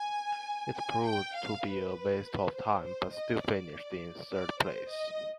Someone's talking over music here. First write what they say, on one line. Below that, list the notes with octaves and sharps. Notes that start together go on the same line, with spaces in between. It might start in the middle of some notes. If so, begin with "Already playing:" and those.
It proved to be a waste of time, but still finished in third place.
Already playing: G#5
G#5
G5
F5
B4
C5
C5
D#5
D5
D5
C5
D#5